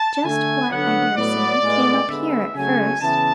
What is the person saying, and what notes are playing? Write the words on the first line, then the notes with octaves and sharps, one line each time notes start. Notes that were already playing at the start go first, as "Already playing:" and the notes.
Just what, I dare say, came up here at first.
Already playing: A5
D3 A3 G#5
D3 F#3 B3 F#5
A2 F#3 B3 D5
A2 G#3 B3
D3 G#3 B3 E5
C#3 F#3 A3 G#5
C#3 E3 B3 A5